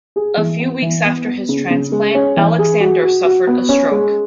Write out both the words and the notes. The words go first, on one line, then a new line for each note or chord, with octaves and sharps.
A few weeks after his transplant, Alexander suffered a stroke.
G#4
E3
B3
E3
B3
B3
C#3
C#3
G#3
C#4
E3
G#4
F#4
F#4
F#4
B3
C#4
G#3